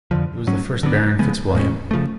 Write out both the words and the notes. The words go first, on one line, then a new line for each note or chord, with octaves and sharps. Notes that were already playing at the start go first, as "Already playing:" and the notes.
He was the first Baron FitzWilliam.
F2 D3 F3
G#2 F#3 C#4
D3 F#3 B3 D4
C#3 F3 G#3 B3
A2 G#3 C#4
C#3 F3 A3